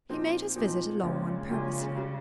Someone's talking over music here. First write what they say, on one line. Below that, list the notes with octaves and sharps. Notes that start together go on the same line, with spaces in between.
He made his visit a long one purposely.
A#2 F3 C4 D#4 G4
A#2 F3 C4 D#4 G4
A#1 A#2 C#3 G#3 C#4 G4
A#1 A#2 C#3 G#3 C#4 G4
G3